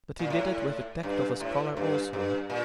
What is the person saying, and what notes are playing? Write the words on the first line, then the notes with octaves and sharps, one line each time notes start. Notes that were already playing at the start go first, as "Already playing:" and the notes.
But he did it with the tact of a scholar also.
A#2
A2
G2
A2
G2
G2
A#2